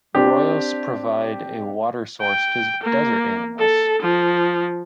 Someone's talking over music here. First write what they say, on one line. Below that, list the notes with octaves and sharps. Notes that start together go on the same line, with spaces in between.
Arroyos provide a water source to desert animals.
C4 D4 G4
G5
A#3
A4
F3